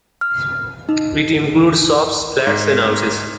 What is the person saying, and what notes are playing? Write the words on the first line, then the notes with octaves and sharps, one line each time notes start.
It includes shops, flats and houses.
F6
D#4
G#2